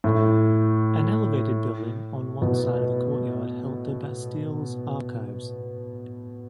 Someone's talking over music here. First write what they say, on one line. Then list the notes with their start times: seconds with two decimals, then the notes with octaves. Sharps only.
An elevated building on one side of the courtyard held the Bastille's archives.
0.04 A2 A3
2.41 B2 B3